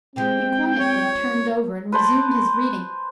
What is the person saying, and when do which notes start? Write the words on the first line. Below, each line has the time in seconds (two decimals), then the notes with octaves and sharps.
He quietly turned over, and resumed his reading.
0.16 C3 F3 G#3 C4 G5
0.79 C#5
1.92 B4 C5 A5